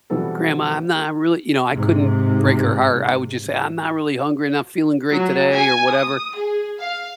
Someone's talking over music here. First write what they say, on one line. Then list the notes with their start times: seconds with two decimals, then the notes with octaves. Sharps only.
"Grandma, I'm not really" you know, I couldn't break her heart. I would, just, say, "I'm not really hungry, I'm not feeling great today or whatever."
0.10 B2 E3 G3 B3 C4 A4
1.74 G#2 C3
5.11 F#3
5.52 G#5
5.92 D#6
6.35 G#4
6.79 F5